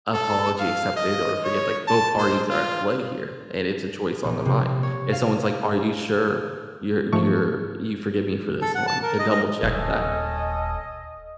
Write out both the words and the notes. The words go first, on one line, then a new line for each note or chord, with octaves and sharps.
apology accepted or forgive, like, both parties are at play here, and it's a choice on the mind. If someone's like, "Are you sure you're you're you forgive me for this one." To double check that,
A4
F5
D#5
C#5
A5
C5
F4
A#1
C3
C#5
F5
G#2 F3 A3 C#6
A4
F#5
A5
A#4
D#5
D#5
D#1 C#4 A4 D#5